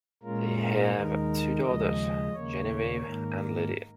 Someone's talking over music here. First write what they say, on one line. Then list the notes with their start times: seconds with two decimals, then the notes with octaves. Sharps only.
They have two daughters, Genevieve and Lydia.
0.23 A#2 G#3 C#4 F4 A#4
0.58 A#4
0.94 D#2 D#3 G#3 D#4
1.62 D#2 C#3 F3 G#3 D#5
2.33 D#2 C#3 A#3 C#5
3.02 G#2 D#3 A#3 A#4